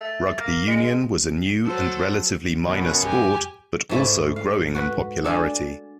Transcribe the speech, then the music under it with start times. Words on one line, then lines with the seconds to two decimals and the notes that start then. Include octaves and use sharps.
Rugby union was a new and relatively minor sport, but also growing in popularity.
0.01 A3
0.40 A#3
0.67 G#3
1.66 F#3 A4 C5
2.66 F#2 B2 E3 B3
3.03 F2 G#2 G4 G#5
3.89 G#2 A3 E4
4.36 F5
4.75 F#4 B4
5.24 D4 A4 G#5